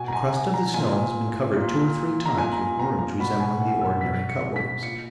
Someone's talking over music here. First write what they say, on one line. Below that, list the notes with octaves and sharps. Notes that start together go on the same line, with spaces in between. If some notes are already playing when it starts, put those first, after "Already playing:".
The crust of the snow has been covered two or three times with worms resembling the ordinary cut worms.
Already playing: B2 G#5
A#5
G#5
G#5
A#5
A#2 G#5
A#2
A#5
A#2 G#5
A#5
G#5
A#5
A#5
B2 B5
G#5
F#5
E6
B2 B6
C#7
B6
A#2 C#7